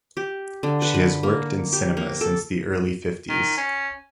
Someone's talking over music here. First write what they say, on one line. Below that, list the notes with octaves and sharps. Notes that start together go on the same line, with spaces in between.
She has worked in cinema since the early fifties.
G4
D3
B4
B4
A#3
G4
A#3
A4
D#3
C#4